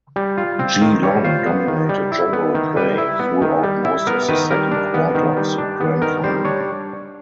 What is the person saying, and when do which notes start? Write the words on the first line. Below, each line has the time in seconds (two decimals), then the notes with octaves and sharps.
Geelong dominated general play throughout most of the second quarter of the Grand Final.
0.16 G3
0.38 F4
0.59 C4
0.81 D#3
1.03 G3 C#5
1.24 F4 C5
1.46 B3
1.68 D#3
1.89 G3
2.12 E4
2.33 B3
2.55 D#3
2.76 G3 B4
2.98 E4
3.19 B3
3.42 D#3
3.63 G3
3.85 E4
4.07 B3 A#4
4.29 D#3 B4
4.50 G3 A#4
4.71 D4
4.94 B3
5.15 D#3
5.37 G3
5.58 D4
5.80 B3
6.02 D#3 A#4
6.24 G3 C5
6.45 D4 C#5